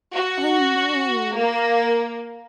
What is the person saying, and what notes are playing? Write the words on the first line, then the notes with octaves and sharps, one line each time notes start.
Oh, no.
F#4
A#3